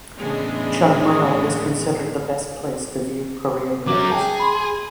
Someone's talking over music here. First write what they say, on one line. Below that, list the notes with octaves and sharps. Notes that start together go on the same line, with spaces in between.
Chungmuro is considered the best place to view Korean movies.
A2 C#3 E3 G#3 B3 D4
F#3 C#4 D6
G#4 G5 A5
B5 C6